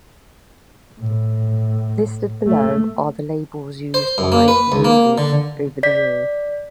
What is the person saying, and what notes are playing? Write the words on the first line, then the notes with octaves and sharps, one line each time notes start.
Listed below are the labels used by Moodyz over the years.
A2
A3
C5
F#2
A#3
B4
C#2
A#3
D3
D5 B6